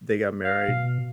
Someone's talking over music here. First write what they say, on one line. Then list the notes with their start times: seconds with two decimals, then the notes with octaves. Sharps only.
they got married.
0.45 F5
0.68 B2